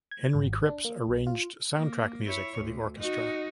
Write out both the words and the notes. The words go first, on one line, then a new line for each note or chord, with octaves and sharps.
Henry Krips arranged soundtrack music for the orchestra.
G#6
G#1
D4
A#3
B1
F4
A#3
E4 C#5
D2
D#4 F#4